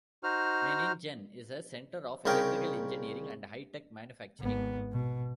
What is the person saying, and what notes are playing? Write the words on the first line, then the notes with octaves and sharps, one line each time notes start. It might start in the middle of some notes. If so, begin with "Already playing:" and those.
Meiningen is a center of electrical engineering and high-tech manufacturing.
D#4 F#4 C5 F6
C2 C#3 D#4 A#4 G5
G#1 B3
B2